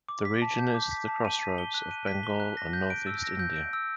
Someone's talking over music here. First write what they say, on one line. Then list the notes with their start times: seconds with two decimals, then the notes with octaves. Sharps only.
The region is the crossroads of Bengal and northeast India.
0.09 D6
0.25 B6
0.42 A5
0.59 G6
0.75 D6
0.91 B6
1.08 A5
1.25 D#7
1.41 B6
1.58 G7
1.74 F#6
1.91 D#7
2.07 B6
2.23 G7
2.40 F#6
2.57 A#6
2.73 G6
2.90 D7
3.07 E6
3.24 A#6
3.39 G6
3.56 D7
3.73 E6